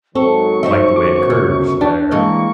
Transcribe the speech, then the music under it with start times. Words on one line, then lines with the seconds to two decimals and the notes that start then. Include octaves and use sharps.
Like the way it curves there.
0.15 G#2 D#3 F#3 C4 A4 C#6
0.63 F3 D#4 C5 E5
0.96 G1 F#2 F#3 D6
1.30 C#3
1.81 D4 G4 A5
2.11 E3 G3 G#3 A#3 D#5 C#6